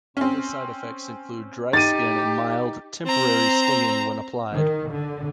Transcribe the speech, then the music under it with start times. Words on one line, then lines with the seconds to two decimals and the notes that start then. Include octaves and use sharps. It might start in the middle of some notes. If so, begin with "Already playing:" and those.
Minor side effects include dry skin and mild, temporary stinging when applied.
0.17 C4 C#4
1.73 D#4 G4 A6 D#7
3.06 C4 A#5
4.53 D#3
4.90 D3